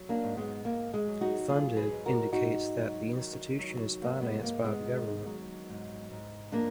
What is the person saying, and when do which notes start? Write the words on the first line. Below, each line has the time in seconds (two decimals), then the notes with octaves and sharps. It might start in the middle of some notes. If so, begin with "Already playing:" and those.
Funded indicates that the institution is financed by the government.
Already playing: F#3
0.09 A#3 D4
0.24 G#2
0.37 G#3 B3
0.65 G#2 A#3
0.94 G#3
1.07 F#3
1.21 D#4 F#4
1.49 F#3 F4 G#4
1.77 G#4 B4
1.91 G#2
2.06 F#4 A#4
2.33 G#2 D#4 F#4
2.75 F#3
3.17 D#3
3.59 F#3
4.02 G#2 A#3
4.21 G#3 B3
4.43 G#2 A#3
4.64 G#3 B3
4.85 D#3
5.27 F#3
5.69 G#2
6.10 G#2
6.52 F3 A#3 D4